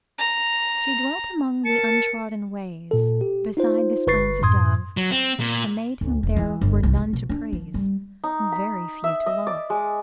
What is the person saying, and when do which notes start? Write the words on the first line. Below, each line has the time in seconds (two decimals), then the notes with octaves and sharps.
She dwelt among the untrodden ways Beside the springs of Dove; A maid whom there were none to praise, And very few to love.
0.18 A#5
1.65 A#4 A5 C#7
2.91 A#2 A4
3.21 G4
3.57 D#4 F4 C5
4.07 G1 B4 C#6 A6 C7
4.42 F#2 A2 C6 D#6 G#6
4.97 F#3
5.11 C4
5.40 A#2
6.01 D2
6.23 E1
6.36 E3
6.61 G1
6.83 C2
6.97 G#2
7.13 B2
7.29 D4
7.53 F3
7.74 G3
8.24 D#4
8.52 B5
9.04 E5
9.26 D#5
9.47 D5
9.70 G#3